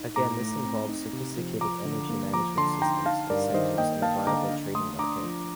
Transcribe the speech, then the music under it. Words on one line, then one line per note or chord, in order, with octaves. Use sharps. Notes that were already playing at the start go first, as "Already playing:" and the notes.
Again this involves sophisticated energy management systems, incentives, and a viable trading market.
Already playing: D#4
A2 A#5 D6
A3
C4
D#4
C3
F3
F3 A#5 D6
D3
A#3
F3 A#5 D6
D3 A5 C6
D#4 G5 A#5
D#4 F5 A5
G2 A#4 D5
D#3 C5 D#5
A#3 D#5 G5
A#3 F5 A5
D3 A#5 D6
D4
A3 C6 D#6
D4 A#5 D6
F3